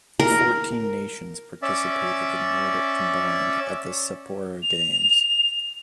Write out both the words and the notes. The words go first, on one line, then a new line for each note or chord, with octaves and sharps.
Fourteen nations participated in nordic combined at the Sapporo Games.
A#4
C#4 D5 E5
F7